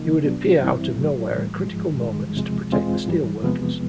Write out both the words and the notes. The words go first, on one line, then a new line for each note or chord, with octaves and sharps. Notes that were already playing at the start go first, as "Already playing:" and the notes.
He would appear out of nowhere at critical moments to protect the steel workers.
Already playing: C#3 F3 A#3 D#4
B2 F#3 B3 D4
G2 E3 G3 C4 E4
A2 F#3 A3
A2 E3 G3
G#2 F3 G#3
G2 D#3 G#3
E2 C3 F3 G#3
E2 B2 G#3 C4 F4
G#2 E3 G3
E2 C3 F3 G#3 B3